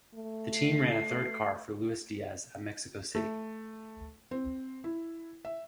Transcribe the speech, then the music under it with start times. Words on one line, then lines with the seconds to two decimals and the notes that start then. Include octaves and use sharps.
The team ran a third car for Luis Diaz at Mexico City.
0.15 A3
0.54 C7
3.15 A3
4.31 C4
4.84 E4
5.45 E5